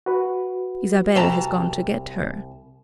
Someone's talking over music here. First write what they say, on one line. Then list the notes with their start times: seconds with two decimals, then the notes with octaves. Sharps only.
Isabel has gone to get her.
0.06 F#4 B4
1.15 C2 A5 A#5